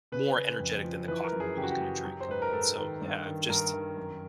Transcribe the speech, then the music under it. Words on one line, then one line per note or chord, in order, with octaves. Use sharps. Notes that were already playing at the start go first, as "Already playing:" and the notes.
more energetic than the coffee she was gonna drink. So, yeah, I've just
C#3 B4
C#3
F2
F3
E3 B4
A#4
F#2
G#4
C#3 G4
F#4
G4
F#2
F#3
C5
G#2 B4
A#4
G#2 A4
D#3
G2
D#3
G2 A#4
D#3
F#2